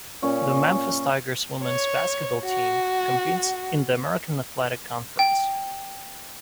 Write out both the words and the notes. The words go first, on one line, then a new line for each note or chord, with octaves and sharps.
The Memphis Tigers women's basketball team competes in the American Athletic Conference.
A#2 C#4
C#5
F#4
G5